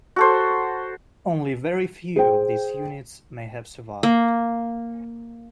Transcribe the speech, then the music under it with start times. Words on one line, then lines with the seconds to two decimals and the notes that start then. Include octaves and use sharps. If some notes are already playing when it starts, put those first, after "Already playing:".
Only very few of these units may have survived.
0.16 F#4 A4 C5
2.16 G#4 C5 G5
4.03 A#3